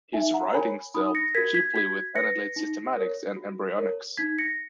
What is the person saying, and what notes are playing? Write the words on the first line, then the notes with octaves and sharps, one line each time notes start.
His writings dealt chiefly with annelid systematics and embryonics.
D#4 E5 G#5
F#5 A#5
A#4 C#5 G#5 B5
D#4 B5 D#6
A#6 C#7
F#4 A#4 G#6 B6
G#6 B6
F#4 G#6 B6
B4 A#6 C#7
D#4
A#4 C#5
F#4
A#4 C#5
D#4 G#6 B6
A#6 C#7